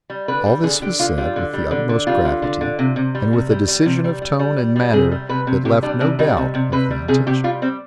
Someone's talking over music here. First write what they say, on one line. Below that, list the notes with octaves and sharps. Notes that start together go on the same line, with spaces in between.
All this was said with the utmost gravity, and with a decision of tone and manner that left no doubt of the intention.
G3
D3 B4
G3
D3 G#4
D3 G4
D3 F4
G3 F4
D3
G3
D3
D3
G3 F4
D3
D3
D3
C3
C3
G3
C3
G3
G3
C3
G3
G3
G3
G3
G3
C3 G#4
G3
C3 B4
C3
C3 G4
G3 D4
C3 D4
G3 D#4
C3
C3
C3 B4
G3
C3 G#4
C3 G4
G3 F4
G3 C4